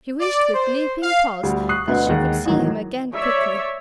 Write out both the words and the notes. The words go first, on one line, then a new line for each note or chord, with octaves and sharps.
She wished with leaping pulse that she could see him again quickly.
D5
C5
F5
D2 G3
C#6 D#6 F#6 C7
D2 B2 D3 B3
D#2 G#3 F#5
A1 D#3 F#3
C#5 D5 E5